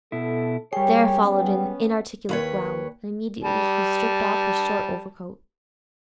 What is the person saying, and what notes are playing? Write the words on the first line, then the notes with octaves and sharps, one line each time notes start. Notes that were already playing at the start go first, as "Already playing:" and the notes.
There followed an inarticulate growl, and immediately he stripped off his short overcoat.
B2 E4 A4
G3 G4 G#4 A#4 C#5 G5
B3 C#4
D#2 B4 C#5
G3 A5